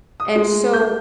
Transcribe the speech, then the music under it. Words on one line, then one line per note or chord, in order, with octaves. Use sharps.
And, so
D#6
G#3
G6